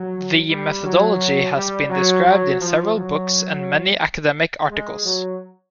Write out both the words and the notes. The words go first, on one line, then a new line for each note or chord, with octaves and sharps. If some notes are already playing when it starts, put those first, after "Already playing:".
The methodology has been described in several books and many academic articles.
Already playing: F#3
G3
F#3
G3
F#3
F#3
F3
F#3
G#3
F#3